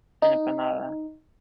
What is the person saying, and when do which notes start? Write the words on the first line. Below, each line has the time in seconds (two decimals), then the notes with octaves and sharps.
an empanada?
0.22 D#4